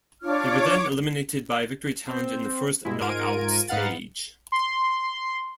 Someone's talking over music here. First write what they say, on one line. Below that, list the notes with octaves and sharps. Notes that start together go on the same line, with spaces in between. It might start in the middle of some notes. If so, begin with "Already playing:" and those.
They were then eliminated by Victory Challenge in the first knock-out stage.
D4 F4 C#5 D6 F6
C4 C5
G2 B2 G#3 E4
G#2 F4 A#4 G#6 D7 D#7
G#2 D#4 B4 F5 F#5 A6
C6